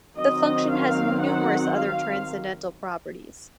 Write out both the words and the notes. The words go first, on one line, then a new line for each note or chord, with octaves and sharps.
The function has numerous other transcendental properties.
D#3 F#3 C4 D#5
F5
F#5
F5